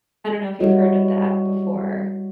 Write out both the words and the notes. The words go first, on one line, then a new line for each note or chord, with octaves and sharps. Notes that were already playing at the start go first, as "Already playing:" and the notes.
I dunno if you've heard of that before
G3 E4 F#4 C#5 D#5